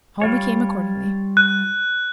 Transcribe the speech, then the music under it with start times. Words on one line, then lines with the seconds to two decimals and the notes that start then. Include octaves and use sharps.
Home we came accordingly.
0.22 G3 F4 C#5
1.37 F#6